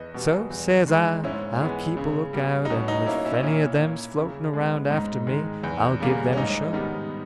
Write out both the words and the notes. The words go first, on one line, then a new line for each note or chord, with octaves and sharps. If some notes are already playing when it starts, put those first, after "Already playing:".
So, says I, I'll keep a lookout, and if any of them's floating around after me I'll give them a show.
Already playing: E2 B4 D#5
B2 G3
E2
D#3 G#3
G#2 C#4 E4
E3 G#3 B3
C#3
G3 B3
D#4
B2 C#4
D#4
A#3 C#4 E4
C#4 E4
A#2 C#4 E4
A#3
C#3
G#3 B3
G#2 D#4
D#3 G#3
E2
C#3 G3 A#3
C#4
G#2 D#4
D#3 G3 B3